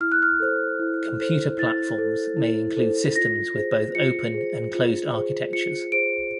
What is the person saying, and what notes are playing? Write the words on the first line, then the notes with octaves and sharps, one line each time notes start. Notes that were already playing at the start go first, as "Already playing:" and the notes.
Computer platforms may include systems with both open and closed architectures.
E4 F6
F#6
F6
A4 C5
E4
A4 C5
E4 A6
A4 C5
E4
A4 C5
F4 A#6
G#4 C5
F4 C#7
G#4 C5
F4
G#4 C5
F4 C#7
G#4 C5 D7